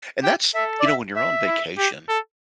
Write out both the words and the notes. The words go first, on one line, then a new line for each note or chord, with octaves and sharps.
And that's you know, when you're on vacation
G4 G5
A4 E5
D5
E5
E5
E4
G4
A4